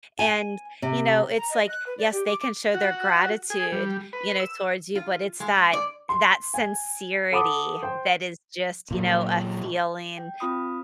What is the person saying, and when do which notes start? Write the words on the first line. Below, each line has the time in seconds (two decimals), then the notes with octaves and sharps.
and, you know, it's like, yes, they can show their gratitude, you know, towards you, but it's that that sincerity that is just, you know, a feeling.
0.19 G#5
0.82 C3
1.38 A#5
1.51 D#5
1.69 F#6
1.87 B4
1.99 D5
2.12 G4
2.27 D6
2.39 D6
2.74 F#4
3.50 G#4
3.72 G3
4.13 B4
4.40 E6
4.95 F4
5.40 G#3
5.73 D5
6.09 C6
6.54 G#5
7.32 A4 F#5 B5 D6 D#6
7.83 C5 G5
8.91 A#2 F#3
10.18 G5
10.40 C4 F4 B5 D#6